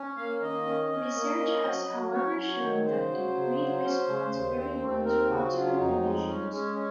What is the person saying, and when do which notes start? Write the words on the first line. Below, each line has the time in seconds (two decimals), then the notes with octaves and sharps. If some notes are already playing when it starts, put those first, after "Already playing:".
Research has however shown that the breed responds very well to optimum conditions.
Already playing: C#4
0.17 A#3 F5
0.41 D#3 D#5
0.66 C#4
0.90 C#4
1.15 A#3
1.39 C#4
1.64 F#3
1.88 F#3
2.12 C#4 C#5
2.37 F#3
2.61 D#3
2.86 C#3 C5
3.10 F#3
3.34 C#3
3.59 F#3
3.83 C#4
4.07 C#3
4.32 D#2
4.56 C4
4.81 D#2
5.04 C4 A#4
5.29 C#3 F#4
5.53 F#3 F4
5.78 F2 D#4
6.02 G#3
6.27 C#4
6.51 G#3 C#4
6.75 C#4